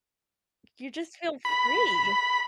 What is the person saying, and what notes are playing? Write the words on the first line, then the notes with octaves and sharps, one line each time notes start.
You just feel free.
B5